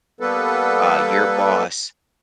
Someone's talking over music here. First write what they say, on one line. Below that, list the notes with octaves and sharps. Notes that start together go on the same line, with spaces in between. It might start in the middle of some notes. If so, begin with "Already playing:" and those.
uh, your boss,
G3 A#3 B3 A4 B4